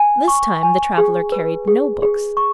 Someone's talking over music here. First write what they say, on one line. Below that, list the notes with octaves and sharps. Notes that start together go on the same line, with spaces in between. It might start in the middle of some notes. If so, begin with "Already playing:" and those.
This time the traveller carried no books.
Already playing: G#5
C#6
G#5
G#4
B4
G#4
G#4
C#6